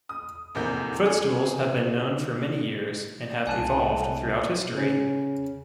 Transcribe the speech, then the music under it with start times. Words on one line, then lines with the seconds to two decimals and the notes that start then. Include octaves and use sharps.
Footstools have been known for many years, and have evolved throughout history.
0.09 D#6
0.55 F1 E2 C3 A#3 G6
1.05 G#4
3.47 C2 G#5 A5 F#6
4.75 C#3 C#4